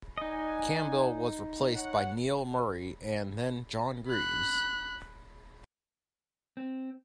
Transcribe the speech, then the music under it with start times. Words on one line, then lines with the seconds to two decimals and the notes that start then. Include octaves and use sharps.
Campbell was replaced by Neil Murray and then John Greaves.
0.18 D#4 D5 D#5 F#5 G#5
1.76 C#5 F#5
4.09 B5 F#6
6.57 C4